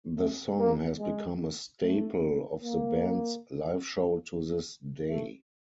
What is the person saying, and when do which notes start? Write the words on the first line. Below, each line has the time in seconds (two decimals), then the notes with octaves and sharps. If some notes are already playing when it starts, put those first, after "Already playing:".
The song has become a staple of the band's live show to this day.
0.17 A3
0.58 A#3
0.99 G#3
1.81 A3
2.63 A#3
5.09 A3